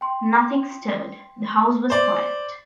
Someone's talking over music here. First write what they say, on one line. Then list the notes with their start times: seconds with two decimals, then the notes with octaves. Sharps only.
Nothing stirred — the house was quiet.
0.01 G5 C6
1.90 C5 D5